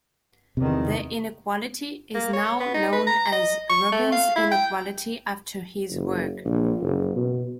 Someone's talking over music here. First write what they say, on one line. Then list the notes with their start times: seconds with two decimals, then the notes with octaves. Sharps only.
The inequality is now known as Robin's inequality after his work.
0.57 E2 C3 D#3
2.14 A#3
2.33 C#5
2.60 B3
2.74 D#4
2.92 B4
3.07 A#5
3.32 D#5
3.69 C#6
3.92 A3
4.12 F5
4.36 E4
4.51 G5
5.91 F#1
6.45 A#1
6.81 F#1
7.16 B2